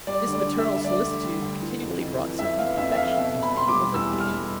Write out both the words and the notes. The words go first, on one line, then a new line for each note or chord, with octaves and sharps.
This maternal solicitude continually brought some new perfection into the pupil's education.
G3 D5
D2
D5
D3
E5
G3
E5
D2 D5
D2
G3
D2
E3
F2
F2
E3
F2 E5
B3 F5
F2 E5
E5
F2 F5
B2 E5
B2
B5
B2 C6
D6
G3
E2 E6
G3
F6
G3